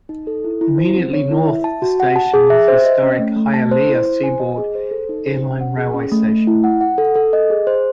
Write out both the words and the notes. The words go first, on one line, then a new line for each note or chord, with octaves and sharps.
Immediately north of the station is the historic Hialeah Seaboard Air Line Railway Station.
D#4
A4
E4
E4
C5
C4
C#5
E4
E5
A5
F#4
F#5
A5
G#4
E5
C5
D#5
C#4
A3
A3
A5
C5
E4
C5
G#5
D#5
G#4
C5
A4
D#4
C5
C#4
F#5
G#4
C#4
A3
A3
E4
F#5
F#5
A4
A4
D#5
G#4
C5